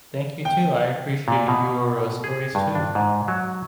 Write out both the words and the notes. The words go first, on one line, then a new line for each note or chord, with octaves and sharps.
Thank you too. I appreciate your, uh, stories too.
G5
A#2
B2
G#4
G2
D4
G#2
F#3